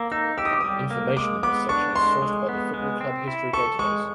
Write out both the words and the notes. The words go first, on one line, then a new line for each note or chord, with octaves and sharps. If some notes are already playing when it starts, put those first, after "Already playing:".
Information in this section is sourced from the Football Club History Database.
Already playing: A#3 E6
D#4 E6
G4 E6
D#6
D6
G3 D#6
A#3
G#3 D6
B3 D6
D4 C#6
G#3 C6
G#3
B3
G#3
C4
E4
A4 C#6
G#3 C#6